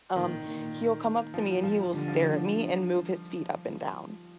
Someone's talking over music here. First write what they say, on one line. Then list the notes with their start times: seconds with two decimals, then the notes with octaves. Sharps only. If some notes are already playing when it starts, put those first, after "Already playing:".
um, he'll come up to me and he will stare at me and move his feet up and down.
0.16 A#2 D#3
0.45 A#2
1.34 F3
1.63 F3
1.93 D3 G3
2.08 F3